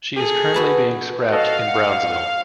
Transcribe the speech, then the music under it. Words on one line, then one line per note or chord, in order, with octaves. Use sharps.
She is currently being scrapped in Brownsville.
G#4 A4
F#4 B4 A5
F#4 A4 D#5 F5
F#5